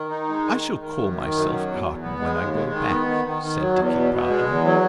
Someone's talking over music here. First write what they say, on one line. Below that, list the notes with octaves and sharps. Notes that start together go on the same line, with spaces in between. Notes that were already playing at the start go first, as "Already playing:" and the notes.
"I shall call myself Arden when I go back," said Dickie proudly.
Already playing: D#3
D#4
G#3
D#3
D#3
D#3
F#2
D#3
F#2
F#3
E2
E2
B3
G#3
D#2
G#3
D#3
B3
D#3
D#3
D#3
F#3
E2
B2
B2
G#3
E2
F#3